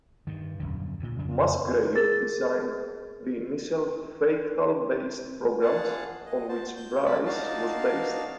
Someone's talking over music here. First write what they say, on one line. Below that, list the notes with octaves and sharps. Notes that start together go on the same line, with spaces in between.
Musgrave designed the initial fractal-based programs on which Bryce was based.
G2 D#3
D#1 B1 F#2 D3
D2 A#2
F2 C#3 D4
G#4 A#4 A6
G#4 F5 F#5 A5
D#5
F#4 C5 A5
G6
A5 B5
D4 D#4 F#4 F5 A5